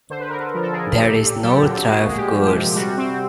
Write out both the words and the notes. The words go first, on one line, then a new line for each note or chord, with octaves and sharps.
There is no turf course.
D3 C5
B4
D3 A#4
A4 B4
F3 A#4
A4
D3 G#4 A#4
A#2 G4 A4
A#2
F#3 G4 A4
A#2
G#3 F#4 G#4
G#3
G4
F3
G4
C3
G3 F#4
C4